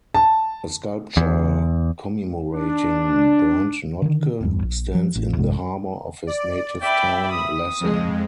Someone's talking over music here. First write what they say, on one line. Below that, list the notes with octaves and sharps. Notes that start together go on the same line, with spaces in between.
A sculpture commemorating Bernt Notke stands in the harbour of his native town Lassan.
A5
E2
D4
D3 D#3
D1 E2 G2
A#1
F3
A1
A#1 G2 C3 G#3
D5
D5 E5 G5 B5
D#6
F2 G#3